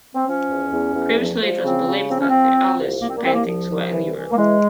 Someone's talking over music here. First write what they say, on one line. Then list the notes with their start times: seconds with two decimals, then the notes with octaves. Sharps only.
Previously it was believed that the earliest paintings were in Europe.
0.14 C4
0.26 F3 C#4
0.50 E2
0.72 E2
0.95 E2
1.18 F3
1.41 F3
1.64 C#3 C4
1.87 C#3
2.09 F3 C4
2.20 C#4
2.29 F3 C4
2.54 F3
2.78 C2
3.01 C2 A#3
3.09 C4
3.17 A#3
3.24 C2 C4
3.34 A#3
3.46 F3
3.69 C2
3.91 E3
4.14 E3
4.31 A#3
4.37 E3 G#3